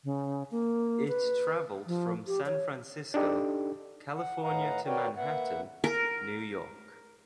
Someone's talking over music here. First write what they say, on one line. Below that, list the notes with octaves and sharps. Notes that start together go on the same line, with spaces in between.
It traveled from San Francisco, California to Manhattan, New York.
C#3
A#3
B4
F3
G4
C#5
D4 D#4 G4 A4
F#5
A2 B4 D#5 F5 F#5 A#5
F#4 A#4 B4 C#5 D5 G5
A#3 B4 E5 F#5
A#4